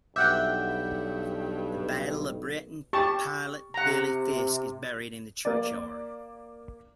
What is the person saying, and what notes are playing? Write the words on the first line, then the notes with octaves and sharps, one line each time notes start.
The Battle of Britain Pilot Billy Fiske is buried in the churchyard.
B1 G2 E5 F#5 G5 D6 G6
G4 A5 C#6
C3 F#5 A#5
A#3 D5